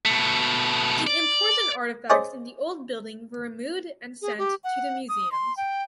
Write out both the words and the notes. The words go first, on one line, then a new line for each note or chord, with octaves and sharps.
The important artefacts in the old building were removed and sent to the museums.
B2 A3
D5
C#4 G#4 C5 D5 D#5
G#4
G4
F#5
D#6
C6
G5